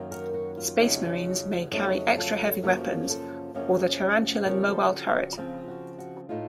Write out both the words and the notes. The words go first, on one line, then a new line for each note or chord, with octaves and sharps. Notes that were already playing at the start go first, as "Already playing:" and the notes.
Space marines may carry extra heavy weapons or the tarantula mobile turret.
Already playing: F#2 D#3 F#3 A#3
F#4 A#4
F#4
F4
F2 C#3 F#3 A3 D#4
F2 C#3 F#3 A3 D#4 F#4
F4 A4
F#2 C#3 F3 A#3 C#4 F#4 A#4
A4 C5
F#2 C#3 F3 A#3 C#4
C5
C#3 F3 C4 A#4 C#5
A4 C5
F#4
F#4
C#3 F3 C4 F4
F#4
F#4
A2 A3 D#4 F4